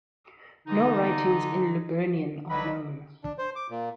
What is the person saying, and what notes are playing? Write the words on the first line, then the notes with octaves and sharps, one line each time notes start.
No writings in Liburnian are known.
D3 E3 D#4
C2 F#3 B4 D#5 B5
D4
C5
D6
A#2